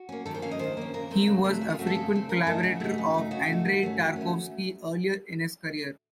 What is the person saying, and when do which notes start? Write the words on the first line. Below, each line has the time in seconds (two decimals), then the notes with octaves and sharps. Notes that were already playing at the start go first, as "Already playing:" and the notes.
He was a frequent collaborator of Andrei Tarkovsky earlier in his career.
Already playing: F#4
0.09 A#3 C#4
0.26 D#3 A4
0.35 C5
0.42 A#3 C#4 F5
0.51 D#5
0.59 D#3 C5
0.77 A#3 C#4
0.94 C#3 A#4
1.11 A3 C4
1.27 C#3
1.44 A3 C4
1.61 C#3 F#4
1.70 F4
1.79 A3 C4 F#4
1.87 A4
1.95 C#3
2.13 A3 C4
2.29 C#3 A#4
2.47 A3 D#4 A4
2.63 C#3 F#4
2.80 A3 D#4
2.98 C#3
3.14 A3 D#4
3.31 C#3 F#4
3.49 A3 D#4
3.65 D#3
3.83 A3 C#4
3.99 D#3
4.16 A3 C#4